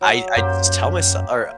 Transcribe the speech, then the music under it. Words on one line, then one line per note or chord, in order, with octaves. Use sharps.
I I just tell myse or
F#3
F#2 A#3 G4 C5